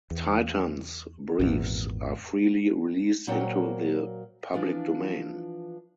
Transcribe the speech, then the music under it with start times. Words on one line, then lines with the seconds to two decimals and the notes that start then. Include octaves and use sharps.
Titans Briefs are freely released into the public domain.
0.11 E2
1.39 G#1 E2 A#2
3.27 A#2 F#3 A#3 C5 C#5 G5
4.53 E3 F3 D4 F4